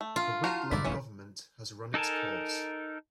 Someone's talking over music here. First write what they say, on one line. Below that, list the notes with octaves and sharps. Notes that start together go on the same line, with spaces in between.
The Whitlam Government has run its course.
A3
F4
E4 F#4 A#5 C6
E1 G2 G#3 E4 D5 B6
D1 A#1 F2 E3 C#4 C#5
D#4 A4 A#4 G#5 A5